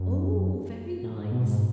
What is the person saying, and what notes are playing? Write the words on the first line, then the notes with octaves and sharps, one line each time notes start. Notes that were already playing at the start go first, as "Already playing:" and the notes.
Oh! very nice!'
Already playing: F#2
A2
G#2
B2
G#2